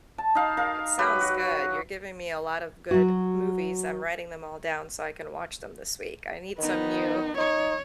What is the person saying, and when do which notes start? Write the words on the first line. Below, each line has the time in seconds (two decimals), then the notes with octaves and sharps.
That sounds good, you're giving me a lot of good movies. I'm writing them all down so I can watch them this week, I need some new
0.18 A5
0.35 D#4 F5
0.57 A#4 F5
0.99 F#3 G4 B4
1.21 F#4
2.91 F#3 F#4
6.58 D#3 B3 D#4
7.38 D#4 C#5